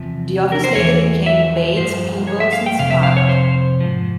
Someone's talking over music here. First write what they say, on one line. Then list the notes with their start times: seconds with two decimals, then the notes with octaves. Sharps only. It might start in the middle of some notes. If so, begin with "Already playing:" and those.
The office later became Bates, Peebles and Smart.
Already playing: E2 C3 F3
0.52 A#4
0.64 C5
0.75 E2 E3 C#5
1.26 E5
1.77 G2 F3 C5
2.27 C#5
2.40 E5
2.52 F5
2.66 G5
2.79 F2 C3 F5
2.91 E5
3.03 F5
3.17 C#5
3.29 C5
3.81 G#2 F3